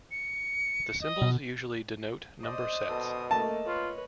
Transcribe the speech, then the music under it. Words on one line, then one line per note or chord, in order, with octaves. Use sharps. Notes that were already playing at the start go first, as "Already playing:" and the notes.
The symbols usually denote number sets.
C#7
D#5
B2
C5 D5 D#5 D#6
B2 A4
A3 A#3 D#5 A5
F4 B4 C#5